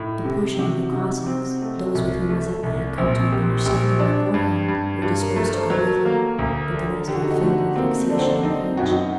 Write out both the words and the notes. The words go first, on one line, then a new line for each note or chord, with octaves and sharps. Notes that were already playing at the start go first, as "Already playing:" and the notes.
A portion of the Cossacks, those with whom Mazeppa had come to an understanding beforehand, were disposed to go with him, but the rest were filled with vexation and rage.
Already playing: A2 D#4
C3 G4
G4
C3 F#4
C3 D#4
C4
A3
C2
A3
C2
A#1 C4
A#1 G4
A#1 G4
D4
G2
G2
G2 G4
A#4
A3 A#4
C5
F#3 C5
A#4
A4
A#4
A#3
D2
D3
D3 G4
F#4
D#4
F#4
D3 A3
A#3 C4
D3 D4
C4
D4
C4 D#4
F#2 F#4
D#4
F#4